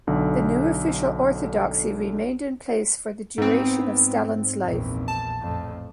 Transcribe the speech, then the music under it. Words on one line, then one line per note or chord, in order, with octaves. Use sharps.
This new official orthodoxy remained in place for the duration of Stalin's life.
B1 D3
G#2 B3 C4
A#1 E2
A5
F2 A2